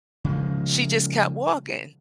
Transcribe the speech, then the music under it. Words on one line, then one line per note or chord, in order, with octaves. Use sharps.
she just kept walking,
C#3 F3 G#3